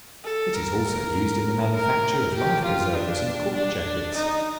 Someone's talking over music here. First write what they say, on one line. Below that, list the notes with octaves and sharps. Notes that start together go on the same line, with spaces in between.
It is also used in the manufacture of life preservers and cork jackets.
A4
A#4
A#4
G4
F4
D4
D4
D#4